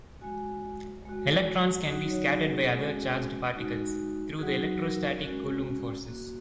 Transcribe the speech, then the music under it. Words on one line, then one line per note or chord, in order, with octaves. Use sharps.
Electrons can be scattered by other charged particles through the electrostatic Coulomb forces.
G#3 F#4 G#5
G#3 F#4
F#3 D#4 F#4 D#5
C#5
G#4
G#4
G#3 C#4 F#4 G#4
G#3 D#4 F#4
F#3 D#4 F#4 G#4
A#4
G#3 C#4 F#4
A#3 F#4